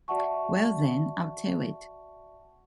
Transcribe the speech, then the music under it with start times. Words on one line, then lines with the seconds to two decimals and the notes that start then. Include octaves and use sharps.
Well then, I’ll tell it.
0.08 F#4 D5 E5 F#5 A5 C#6